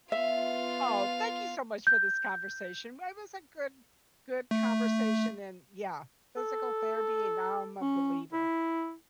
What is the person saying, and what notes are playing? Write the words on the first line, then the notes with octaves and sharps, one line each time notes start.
Oh, thank you so much for this conversation. It was a good good conversation and yeah, physical therapy, and now I'm a believer.
B3 F4 E5 F5
G6
A3
A4
C#4
E4